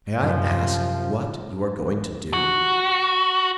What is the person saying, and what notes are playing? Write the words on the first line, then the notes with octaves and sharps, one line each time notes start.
"May I ask what you are going to do?"
F#2 C3 F3
F#4